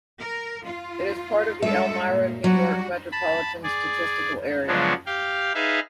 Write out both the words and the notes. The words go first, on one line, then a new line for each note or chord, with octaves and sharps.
It is part of the Elmira, New York Metropolitan Statistical Area.
A#4
F4
G2 G#3 A4 E5
A#2
F#3 G3 D4 F#4
A5 B5
G#4 D5
C#3 F3 F#3 G#3 B3 D4
G4 F5 G5
D#4 G#4 B4 E5 F5